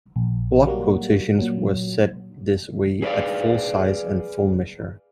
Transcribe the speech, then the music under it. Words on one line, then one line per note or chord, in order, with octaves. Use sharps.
Block quotations were set this way at full size and full measure.
A#1
F#3 G3 A#3 F#4
A#2 F#3
G#4 B4 C#5 D5 F5